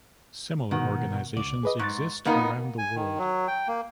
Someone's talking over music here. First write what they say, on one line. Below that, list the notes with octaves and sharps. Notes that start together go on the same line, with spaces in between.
Similar organizations exist around the world.
G#2 B2 D#3 F#5
C#2 D5
G#4 B4 D#5
G#2 C#6 A6
F2 A#3 B3 D#4 A#4 F5
G#5
D#3
F#3
G5
A#3